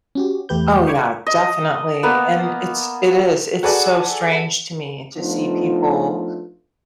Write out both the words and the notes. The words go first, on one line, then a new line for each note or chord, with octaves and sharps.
Oh yeah, definitely, and it's it is, it's so strange to me to see people,
C#4 F#4 G4
E2 A3 G4 B4 G6
D#5 G5 B5 C#6 D6 G#6
D#5
A#3 B3
F#4 G#4 A4 B4 D5 F#5
F3 A3 B3 D4 D#4 F4